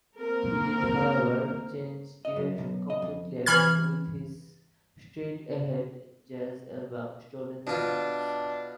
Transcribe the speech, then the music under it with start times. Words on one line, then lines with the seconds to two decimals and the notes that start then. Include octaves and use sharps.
He did however, change direction completely again with his straight-ahead jazz album "Stolen Moments".
0.18 A#3 C4 A#4
2.25 D#5
2.36 F#2
2.58 B1
2.90 D#5
3.02 F2
3.46 E3 B5 F6 G#6
7.67 B2 D4 F4